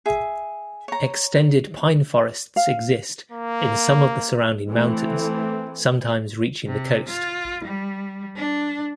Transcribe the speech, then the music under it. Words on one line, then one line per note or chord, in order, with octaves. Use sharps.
Extended pine forests exist in some of the surrounding mountains, sometimes reaching the coast.
G#4 E5
C#5 A#5
F5
A#3
E3 A3 C4
C3
F4
G3
D4